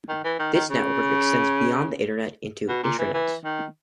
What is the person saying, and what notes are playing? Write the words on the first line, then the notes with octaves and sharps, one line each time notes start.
This network extends beyond the Internet into Intranets.
D#3
E3
D#3
D#3
C#3
B2
A#2
E3
E3
D#3